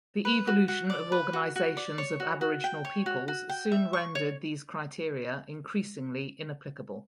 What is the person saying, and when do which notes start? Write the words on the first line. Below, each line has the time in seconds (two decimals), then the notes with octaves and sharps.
The evolution of organizations of aboriginal peoples soon rendered these criteria increasingly inapplicable.
0.25 B4
0.47 F#4
0.68 F#4
0.90 D5
1.12 B4
1.33 F#4
1.56 F#4
1.77 D5
1.98 C#5
2.20 F#4
2.41 F#4
2.64 G5
2.85 C#5
3.06 F#4
3.28 F#4
3.49 G5
3.72 E5
3.93 C#6
4.15 C#5